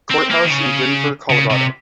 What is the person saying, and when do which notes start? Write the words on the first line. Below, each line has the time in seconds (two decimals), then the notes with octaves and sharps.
Courthouse in Denver, Colorado.
0.10 C4
0.30 A#3
0.44 D#3
0.50 C#3
1.30 C#3
1.50 C3